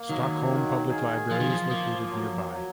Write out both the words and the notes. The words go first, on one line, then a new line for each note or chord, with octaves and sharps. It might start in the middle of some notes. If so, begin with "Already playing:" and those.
Stockholm Public Library is located nearby.
Already playing: A#3
D#3 F#3
D#3
G#4
F3 F4
D#3
F3
F3 A#3
F#3
F#3